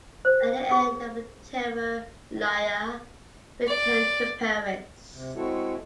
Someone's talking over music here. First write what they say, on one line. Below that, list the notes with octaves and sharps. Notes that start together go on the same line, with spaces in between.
At the end of the Terror Laya returned to Paris.
C5
G#4
D5
C3
G#3 C4 E4 F#4 A4 C#5